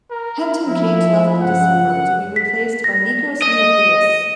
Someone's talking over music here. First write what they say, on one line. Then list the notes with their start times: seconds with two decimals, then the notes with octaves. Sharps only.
Henk ten Cate left in December to be replaced by Nikos Nioplias.
0.11 A#4
0.68 F3 E4
1.42 G2 C#3 F3 F#5
1.80 F#2
2.36 B6
2.84 A#6
3.42 D#5